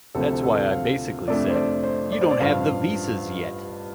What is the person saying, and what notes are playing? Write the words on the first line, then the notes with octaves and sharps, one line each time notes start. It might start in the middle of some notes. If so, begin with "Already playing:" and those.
That's why I basically said, 'You don't have the visas yet.
D2 C3 F3 A4
A4
F5
F2 C3 A3 D4 D5
C5
D5
C5
D5
C5
D5
A1 G2 F3 D4 F5